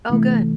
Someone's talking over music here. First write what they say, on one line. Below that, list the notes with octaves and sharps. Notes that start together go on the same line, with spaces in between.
Oh, good.
C3 E3 A3